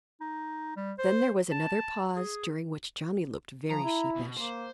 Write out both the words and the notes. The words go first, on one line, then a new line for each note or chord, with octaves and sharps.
Then there was another pause, during which Johnny looked very sheepish.
D#4
G3
C5
A5
G#4
F3 A#5
E4
B2
A#3 C5